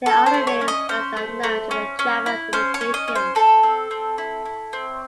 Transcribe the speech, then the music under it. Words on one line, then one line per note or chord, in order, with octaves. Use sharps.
They are the names that are known to the Java application.
C#4 A4
C5
A3
C#5
C#4
D#5
C#4 C5
A3
A3
C#4
C#4
E4
C#4 C5
C#5
C#4
D#5
C#4
C5
C4 A4
C4
C4
E4
E4
C4